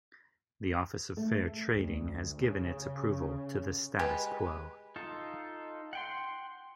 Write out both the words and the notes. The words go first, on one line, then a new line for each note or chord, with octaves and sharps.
The Office of Fair Trading has given its approval to the "status quo".
A3
D2
C#3
G#3 G4 B4
D#4 F4 A4
F#5 G5 C6